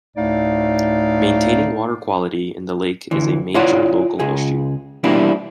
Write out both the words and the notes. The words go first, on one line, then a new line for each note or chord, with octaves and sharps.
Maintaining water quality in the lake is a major local issue.
D2 A2 A3 D#4 D5 F5
D2 E3
E4 F4 C#5 D5 F#5
C#2 G#4
B2 E3 G3 A#3 D4 E4